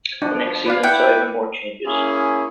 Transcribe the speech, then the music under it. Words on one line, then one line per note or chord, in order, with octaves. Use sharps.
The next season saw even more changes.
B2 F3 D4
B4 D5 F5
E4 B4 E5 F#5 G5 D6
A#3 C#4 E4 G#4